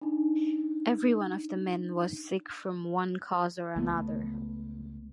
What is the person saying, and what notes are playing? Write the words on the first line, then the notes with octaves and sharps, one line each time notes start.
Every one of the men was sick from one cause or another.
D4 D#4
C#2 A3 B3